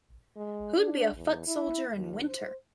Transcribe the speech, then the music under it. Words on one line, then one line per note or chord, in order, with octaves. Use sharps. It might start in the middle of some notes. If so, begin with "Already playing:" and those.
Who'd be a foot soldier in winter?
G#3
D4
E2
E4
D#2
C5